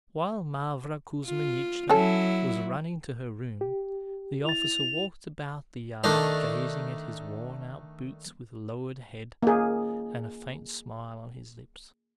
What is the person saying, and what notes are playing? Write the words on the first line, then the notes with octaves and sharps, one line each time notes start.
While Mavra Kuzminichna was running to her room the officer walked about the yard gazing at his worn-out boots with lowered head and a faint smile on his lips.
F4
F#3 C#4 E4 A4
G4
E4 A6 F7
D#3 A3 D4 D#5
A#3 G#4